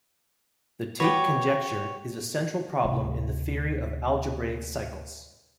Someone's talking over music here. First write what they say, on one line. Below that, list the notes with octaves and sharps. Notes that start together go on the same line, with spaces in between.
The Tate conjecture is a central problem in the theory of algebraic cycles.
F#4 B4 C#5 D5 G5
D2 C3